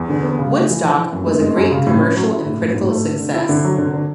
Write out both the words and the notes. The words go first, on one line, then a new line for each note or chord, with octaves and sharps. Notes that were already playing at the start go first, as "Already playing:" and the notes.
"Woodstock" was a great commercial and critical success.
Already playing: E2
D3
B3
C#3
A3
E3
E3
E3
F#2
G#3
G#3
F#2
C#3
A2
C#4
F#3
E4
A2
A2
G#2
A3
D3
D3
E4
D3
F#3
D3
D3